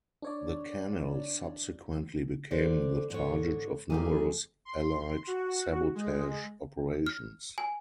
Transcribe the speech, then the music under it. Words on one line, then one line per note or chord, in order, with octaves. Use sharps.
The canal subsequently became the target of numerous Allied sabotage operations.
D4 C#5 D5
D3 C5 D5
G#2 D3 C#5
F2 E3 A3 A#3 G4 G#4
C6
F#4
G#3
F6
G#5